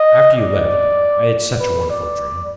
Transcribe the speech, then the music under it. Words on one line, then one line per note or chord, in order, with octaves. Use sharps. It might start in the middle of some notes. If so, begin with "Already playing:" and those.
After you left, I had such a wonderful dream.
Already playing: D#5
D5
B4
D5